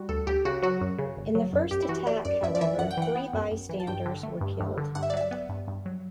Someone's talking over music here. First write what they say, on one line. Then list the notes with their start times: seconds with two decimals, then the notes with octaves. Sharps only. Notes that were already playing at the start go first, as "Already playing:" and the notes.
In the first attack, however, three bystanders were killed.
Already playing: G3 F#4
0.09 D2 A4
0.27 D2 G4
0.45 C#3 F#4
0.63 F#3 F#4
0.81 F#2
0.99 C#3
1.17 G1
1.35 F#3
1.53 F#2
1.71 F#2 G4
1.82 E4
1.89 E3 F#4
2.07 A3 D5
2.25 F#2 D5
2.43 F#2 E5
2.55 D5
2.61 E3 E5
2.79 F#2 F#5
2.91 G5
2.97 E3 F#5
3.16 B3
3.33 F#2
3.52 F#2
3.69 E3
3.80 A5
3.87 G2 G5
4.06 D3
4.23 A3
4.41 G2
4.60 G2
4.77 D3
4.95 G2 F#5
5.03 E5
5.10 D5
5.14 F#3 E5
5.31 B3
5.49 G2
5.68 G2
5.86 F#3